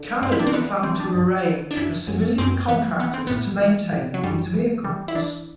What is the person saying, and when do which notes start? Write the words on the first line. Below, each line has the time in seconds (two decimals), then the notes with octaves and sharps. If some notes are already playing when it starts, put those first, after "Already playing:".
Canada planned to arrange for civilian contractors to maintain these vehicles.
Already playing: D3
0.22 G2 C4
0.32 E4
0.39 D4
0.47 C4
0.53 E3 B3
0.83 E3 C4
1.00 D4
1.14 G2
1.45 E3
1.71 D4
1.77 F#2 E4
2.07 F#2
2.38 F#2 C4
2.68 E3 B3
2.99 E3 B3
3.14 C4
3.27 A2 B3
3.61 E3
3.92 A2
4.14 F#3
4.23 F#2 G3
4.54 E3
4.84 E3 G3
5.08 E4
5.15 E3 D4